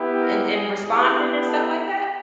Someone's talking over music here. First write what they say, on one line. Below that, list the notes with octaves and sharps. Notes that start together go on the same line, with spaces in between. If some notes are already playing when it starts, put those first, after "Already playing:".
and and responding and stuff like that?
Already playing: B3 E4 G4
A#4
G#4
B3 E4 G4 G#4
A4